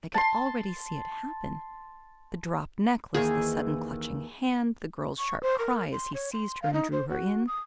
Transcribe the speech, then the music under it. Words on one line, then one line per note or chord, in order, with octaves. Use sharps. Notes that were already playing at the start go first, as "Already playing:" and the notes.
I could already see it happen--the dropped necklace, the sudden clutching hand, the girl's sharp cry as he seized her and drew her in.
A5 C6
D#2 D#3 E3 G#4
C#6
C5
A#4
C6
C#5
C6
F5
D#4
C5
F#4
D#6